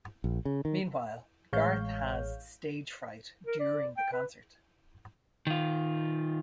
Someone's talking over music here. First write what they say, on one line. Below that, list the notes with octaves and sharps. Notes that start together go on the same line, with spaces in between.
Meanwhile, Garth has stage fright during the concert.
A#1
C#3
D#3
A1 G#3 C#5 F5 G6
A#4
D5
G5
B4
D#3 F4